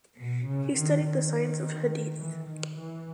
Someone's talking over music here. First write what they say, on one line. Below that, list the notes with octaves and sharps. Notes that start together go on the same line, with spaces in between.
He studied the science of Hadith.
B2
C#3
D#3
D#3
E3
D#3
E3